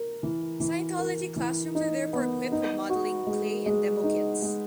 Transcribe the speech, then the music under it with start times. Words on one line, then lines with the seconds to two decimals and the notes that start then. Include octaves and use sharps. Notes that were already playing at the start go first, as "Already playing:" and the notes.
Scientology classrooms are therefore equipped with modelling clay and demo kits.
Already playing: A#4
0.23 E3
0.60 E3
0.99 A#4
1.36 E3
1.75 D#4
2.13 B3
2.52 D#4
2.89 F#4
3.27 G#3
3.66 G#3
4.04 D#4
4.42 G#3